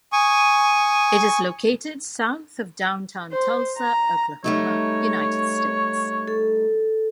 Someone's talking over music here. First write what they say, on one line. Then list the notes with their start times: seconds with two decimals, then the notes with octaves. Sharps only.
It is located south of downtown Tulsa, Oklahoma, United States.
0.12 G#5 C#6 D#6
3.32 C5
3.78 A#5
4.44 G3 A3 D#4 C#5
6.28 A4